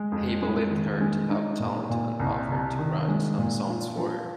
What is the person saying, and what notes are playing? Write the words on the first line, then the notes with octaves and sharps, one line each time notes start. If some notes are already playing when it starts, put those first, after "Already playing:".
Hay believed her to have talent and offered to write some songs for her.
Already playing: G#3
F2
G#3
D#3
G#3
D#4
A#2
A#2
C2
C3
D#3
G#3
A#2
F3
F3